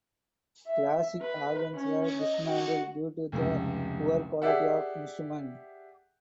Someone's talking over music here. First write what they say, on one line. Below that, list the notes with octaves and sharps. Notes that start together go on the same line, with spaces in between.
Classic organs were dismantled due to the poor quality of the instrument.
E5
B4
C#4
D#5
F#4
F1 C#2
G4 G#4 D5 E5 F#5